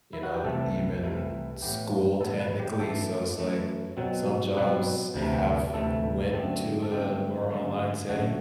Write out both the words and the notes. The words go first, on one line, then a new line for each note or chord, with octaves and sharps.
you know, even school technically. So it's, like, some jobs have went to a more online setting,
E4
F#4
G4
C2 C3 E3 A3 A4
C2 C3 E3 A3
A2 E3 B3 G4
A2 E3 B3 A4
B4
G4
G4
F#2 E3 A3 A4
F#2 E3 A3
B2 F#3 C4
B2 F#3 C4 B4
D2 C3 E3 A3
D2 C3 E3 A3 A4
F#2 D3 A3 C4
A4
F#2 D3 A3 C4 G4
F#2 D3 A3
F#2 D3 A3 F#4